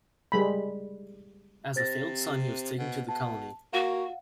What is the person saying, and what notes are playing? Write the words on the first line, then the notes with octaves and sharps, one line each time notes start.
As a failed son he was taken to the colony.
G3 G#3 B5
C3 C5 A6 A#6
B2
B2 A5
A#3 F#4 F5 F#5